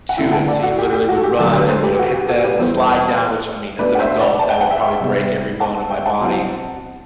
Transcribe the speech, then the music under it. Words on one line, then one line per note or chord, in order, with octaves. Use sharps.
to it, so you literally would run, and, you know, hit that, and slide down which, I mean, as an adult, that would probably break every bone in my body,
F#5
D3 A3 E4 E5 G5
F#5 A5
D5 F#5
F#4 A4
G4
G4
F#4
A4
G4
D3 F#3 A3 F#4 A4
G4 B4
A4 C5
G4 B4
F#4 A4
G4
F#4 A4
G4 B4
E2 B2 G3 B3 E4 A4 C5
B2 A3 D4 B4 D5
F#5
C5 E5
D5 F#5
A5
G5
F#5
E5 G5
C3 G3 B3
F#5 A5
E5 G5
F#5 A5
B2 F#3 C4 E4